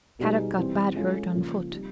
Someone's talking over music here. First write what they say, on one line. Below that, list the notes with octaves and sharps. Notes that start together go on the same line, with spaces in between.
Kadok got bad hurt on foot.
B2 G3 B3 D#4 G#4
E3 G3 C4
G#3 C#4 F4 A4
C#3 F3 A#3
G3 C4 D#4